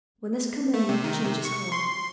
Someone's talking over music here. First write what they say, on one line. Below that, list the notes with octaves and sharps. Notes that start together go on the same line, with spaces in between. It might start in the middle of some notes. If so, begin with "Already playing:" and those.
"When this camellia changes colour."
A3
C3
D#3
C3
C#6
C6